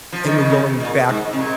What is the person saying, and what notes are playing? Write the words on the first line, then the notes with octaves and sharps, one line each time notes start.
And when going back
F3
D#3
C#3
C3
A#2
G#2
C3
A#2